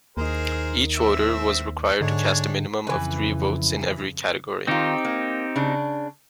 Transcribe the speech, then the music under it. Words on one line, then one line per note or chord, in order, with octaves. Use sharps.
Each voter was required to cast a minimum of three votes in every category.
D#2 A#3 D#4 G#4 A#4 C5
C4 E5
G#2 D3 D4 C#5 G#5
F2 C#3 E3 B4
D#3 C4 D#4 F4 G4
A#3
C#3 D4